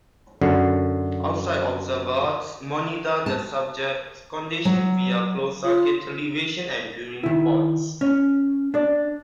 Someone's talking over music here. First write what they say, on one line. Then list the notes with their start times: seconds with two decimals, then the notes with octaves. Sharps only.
Outside observers monitor the subjects' condition via closed circuit television and viewing ports.
0.41 F#2 D3
3.26 A5
4.65 F#3
5.64 F4
7.23 D#3 E4
8.01 C#4
8.74 D4 D5